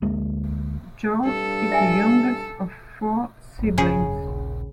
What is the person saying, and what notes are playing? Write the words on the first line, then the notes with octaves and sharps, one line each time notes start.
George is the youngest of four siblings.
D2 G#3 A#3 D4
G2 A4
E5 G#5
G#1 F#2
C#3 G#4
D#1 A#1